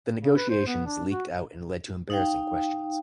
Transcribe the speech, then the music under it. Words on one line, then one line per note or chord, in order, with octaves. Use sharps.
The negotiations leaked out and led to embarrassing questions.
C#3
B4
C5
B3
D4
F#4
D#4 F5 G5